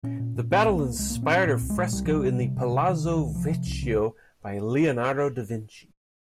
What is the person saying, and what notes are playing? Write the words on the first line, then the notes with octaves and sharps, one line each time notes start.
The battle inspired a fresco in the Palazzo Vecchio by Leonardo da Vinci.
A#2 C#4
A#2
A#2
A#2 C4
C2
A#3
C2
C2 G#3
A#2 A#3
C4
A#2 C#4
A#2 C4
C2
G#3
A#2
C2 G3
C3 F3
G3
C3
C3
C3
C3
C3 D#3
C2
D#3
C2
C3 F3
C3
C2
C#3